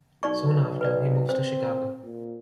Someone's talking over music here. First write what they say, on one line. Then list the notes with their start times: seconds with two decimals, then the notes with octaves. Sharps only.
Soon after, he moves to Chicago.
0.23 B1 D#4 D5 C#6
0.81 B4 D5
1.29 C4 C5
2.03 A#2